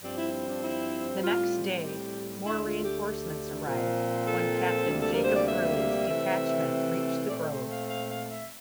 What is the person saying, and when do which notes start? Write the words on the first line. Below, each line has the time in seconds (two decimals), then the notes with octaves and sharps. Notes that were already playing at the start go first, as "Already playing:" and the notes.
The next day more reinforcements arrived when Captain Jacob Early's detachment reached the grove.
0.02 G2 F3 C4 D5
0.17 E4
0.33 E4
0.47 D4
0.62 E4
1.23 A2 G3 C4 F4
1.84 G4
2.44 D2 D3 A3 E4
2.65 F4
2.85 G4
3.05 G4
3.66 A#2 F3 C4
4.26 A4
4.86 D2 C3 G3 A#3
5.00 A4
5.12 A#4
5.23 C5
5.35 D5
5.47 E5
6.07 C3 E3 A3 C4
7.29 A#2 A3 C4 D5
7.49 C5
7.69 F5
7.89 F5
8.09 F5
8.30 E5